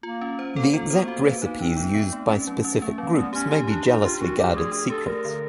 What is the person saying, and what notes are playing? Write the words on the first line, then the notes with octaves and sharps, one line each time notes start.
The exact recipes used by specific groups may be jealously guarded secrets.
A#3 F4
C#4
C5
A#3 A4
A#3 F4
B3 C5
A3
A#3 F#4
A#3 B4
A#3 D#4
C4 D#4
B3
B3
A3
C#4
F#3
C#4
A3 C#4
F#3 A#3
A3 B3
C#4 G4
C#4 G4
D4 G4
D#4 G4
D4 F4
F3 F#4
D4 G4
A3 G#4
D4 G#4
G4 A4
A3 A#4
D3